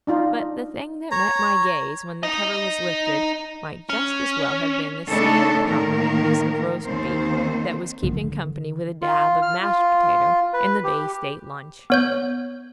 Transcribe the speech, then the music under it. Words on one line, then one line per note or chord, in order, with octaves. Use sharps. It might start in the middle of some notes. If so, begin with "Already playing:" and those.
But the thing that met my gaze when the cover was lifted might just as well have been the same property piece of roast beef that was keeping company with a dab of mashed potato in the Bay State Lunch.
D4 D#4 F4
C#5 A#5
D#4 D#5
C#4
C#3 A3 D4 D#4 A4 D#5
A2 D#3 A#3 A#4
D#2 D#3 C4 C5
D3 D#3
F4
F6
F4
B4
G4
B3 C#5 G6